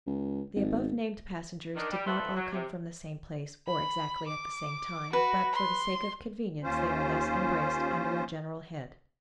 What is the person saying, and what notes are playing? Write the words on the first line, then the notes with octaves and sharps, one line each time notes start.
The above-named passengers did not all come from the same place, or exactly at the same time; but for the sake of convenience they are thus embraced under a general head.
C#2
G#1
D#3 D4
G3
F3 A3 E4 A4 B4 C5
F#3
C3
B5
D6
F#4 B4
C6
D#2 C#4 F4 C5